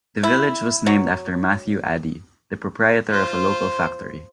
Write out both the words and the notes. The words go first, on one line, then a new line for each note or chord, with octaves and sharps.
The village was named after Matthew Addy, the proprietor of a local factory.
E4
F#3
F4 C5